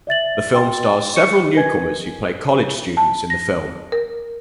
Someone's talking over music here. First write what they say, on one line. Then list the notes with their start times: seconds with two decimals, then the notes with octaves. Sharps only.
The film stars several newcomers who play college students in the film.
0.07 D5 E5 A6 F#7
0.54 G5 C6 A6
1.15 C#6 C#7
1.55 A#4 B4 D#5 G#5 G#6
2.97 A5
3.30 A#6
3.92 A#4